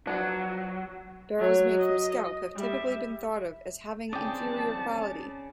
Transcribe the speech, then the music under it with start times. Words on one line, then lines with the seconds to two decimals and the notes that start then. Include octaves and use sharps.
Barrels made from skelp have typically been thought of as having inferior quality.
0.07 F3 F#3 B3 D4
1.39 F#3 C#5
1.80 D#5
2.56 G3 E5
4.13 C4 C#4 G#4 D5 G5 A5 D#6